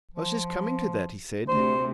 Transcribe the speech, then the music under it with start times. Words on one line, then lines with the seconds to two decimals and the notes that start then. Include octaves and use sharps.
"I was just coming to that," he said.
0.14 F3
1.48 D2 C3 C5